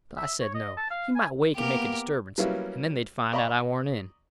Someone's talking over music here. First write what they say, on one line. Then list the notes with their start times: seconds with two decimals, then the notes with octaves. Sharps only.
But I said no; he might wake and make a disturbance, and then they'd find out I warn't in.
0.17 E5
0.41 C#5
0.54 D#5
0.77 A5
0.90 F5
1.16 G#5
1.55 A#3 B3 G4 A#4
2.38 F#3 G3 A#3 B3 C#4 E4
3.33 D5 D#5 A#5 B5 C#6